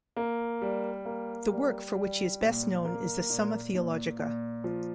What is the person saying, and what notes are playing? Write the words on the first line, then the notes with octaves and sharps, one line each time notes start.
The work for which he is best known is the "Summa Theologica".
A#3
G3
A#3
G3
G3
A#2
A#3
A#2
A#2
A#2
F3